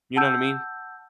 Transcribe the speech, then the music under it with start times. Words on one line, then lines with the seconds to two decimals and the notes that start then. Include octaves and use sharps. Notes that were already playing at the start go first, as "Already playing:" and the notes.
You know what I mean?
0.16 F#5 A5 E6 G6